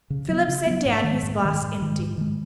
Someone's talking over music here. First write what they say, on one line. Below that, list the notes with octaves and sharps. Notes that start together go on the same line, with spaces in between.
Philip set down his glass empty.
C#3
F#3 B3
C#3
F#3 B3
G#2
D#3
G#3
G#2
D#3 G#3
G#2
D#3 G#3
G#2
D#3 G#3